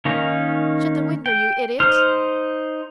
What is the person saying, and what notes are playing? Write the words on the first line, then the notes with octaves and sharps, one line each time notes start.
Shut the window, you idiot!
D#3 A#3 C#4 D#4
G5
D#4 C5 F6